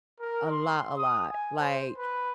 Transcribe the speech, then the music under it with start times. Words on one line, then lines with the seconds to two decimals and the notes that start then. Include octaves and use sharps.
A lot, a lot, like
0.20 A#4
0.49 C6
0.97 D#6
1.29 G#5
1.58 C5
1.98 B4